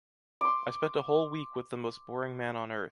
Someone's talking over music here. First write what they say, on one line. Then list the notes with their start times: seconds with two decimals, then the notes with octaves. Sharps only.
I spent a whole week with the most boring man on Earth.
0.41 C6 D6